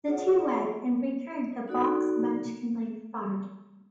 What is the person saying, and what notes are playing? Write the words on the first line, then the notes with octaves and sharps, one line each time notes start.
The two wed and return to Boq's Munchkinland farm.
F4 G#4 C#5 F#5
D#4 F#4 A4 D5